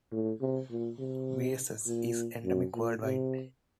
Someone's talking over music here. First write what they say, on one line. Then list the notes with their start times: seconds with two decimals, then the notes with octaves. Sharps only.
Measles is endemic worldwide.
0.12 A2
0.41 C3
0.71 A#2
0.99 C3
1.86 A#2
2.45 F#2
2.74 A#2
3.03 C3